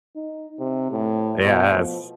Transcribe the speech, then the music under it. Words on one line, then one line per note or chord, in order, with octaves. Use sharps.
Yeah, it's
D#4
C3
A2
B2
F3